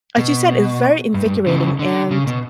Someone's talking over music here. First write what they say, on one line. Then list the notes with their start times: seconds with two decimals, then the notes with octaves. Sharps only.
as you said, it's very invigorating, and, uh,
0.18 B2
1.14 G2
1.25 G2
1.47 C#3 E3
1.79 D3
2.11 C#3
2.27 B2